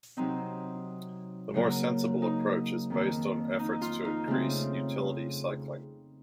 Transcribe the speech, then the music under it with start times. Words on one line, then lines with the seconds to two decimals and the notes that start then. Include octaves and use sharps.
The more sensible approach is based on efforts to increase Utility cycling.
0.17 C3 F#3 C4 D#4
1.54 C#3 F#3 A#3
2.22 D#4
2.90 F2 D#3 A#3
3.59 D#4
3.82 F4
4.05 D#4
4.27 C#3 A3 C4